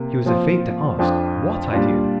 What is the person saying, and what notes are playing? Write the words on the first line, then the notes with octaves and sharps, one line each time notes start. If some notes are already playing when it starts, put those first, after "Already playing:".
He was afraid to ask what idea.
Already playing: C3 A#3
A#2 F3 C4 F4
F2 F3 D4 F4
A#2 G3 D4 F4